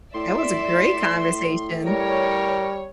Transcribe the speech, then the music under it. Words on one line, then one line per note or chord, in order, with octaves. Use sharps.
That was a great conversation.
A2 D5 E5 C6
G3 A#4 C#5